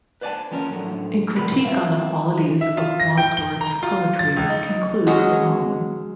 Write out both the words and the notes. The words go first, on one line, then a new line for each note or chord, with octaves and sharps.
A critique on the qualities of Wordsworth's poetry concludes the volume.
B4 C5 D5 F5 G#5 A5
F3 A#3 C#4 A#4
A2 D3 F3 F#3
C2 F3 B3 A#4 B5
F4 B4 C5 E5 F5
E5
F4
A#6
G5
G7
A#5
F4
A6
C#2
D#4
F#3 G#3 C#4 D#5